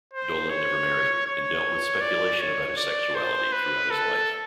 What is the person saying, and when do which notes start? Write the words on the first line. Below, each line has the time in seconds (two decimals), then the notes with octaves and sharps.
Dolan never married and dealt with speculation about his sexuality throughout his life.
0.13 C5
0.50 C#5
1.26 C#5
2.01 D5
2.40 C#5
2.77 D5
3.15 C5
3.52 B4
3.90 A4